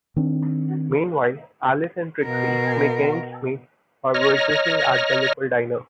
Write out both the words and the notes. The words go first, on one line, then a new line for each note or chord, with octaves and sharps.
Meanwhile, Alice and Trixie make ends meet by waitressing at the local diner.
D#3 C4 D4
B2 A#4
C#5 D#5 A#5 F6